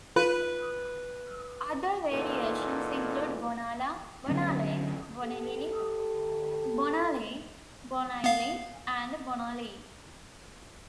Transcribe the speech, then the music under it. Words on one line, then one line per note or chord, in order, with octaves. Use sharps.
Other variations include "Bonala", "Bonalay", "Boneyley", "Bonnalay", "Bonailie" and "Bonaley".
F4 B4
E2 A#2 D#4 A4
D3 F#3 B3 C#4
G4 A4
B3 F5